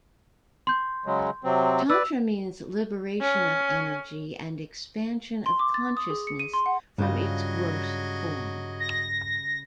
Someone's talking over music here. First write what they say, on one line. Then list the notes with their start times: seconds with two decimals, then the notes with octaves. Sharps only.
Tantra means liberation of energy and expansion of consciousness from its gross form.
0.67 C6 G6
1.06 C#3 F#3 G#3
1.44 C3 F#3 C4
1.90 B4 D5 E6
3.21 C#4
5.46 C6
5.59 D6
5.74 A6
5.97 D#6
6.10 G#4
6.27 C#7
6.39 D#7
6.53 C6
6.66 F#5
6.98 G2 C#3 F#3 G3 F4 D#5
8.80 A#6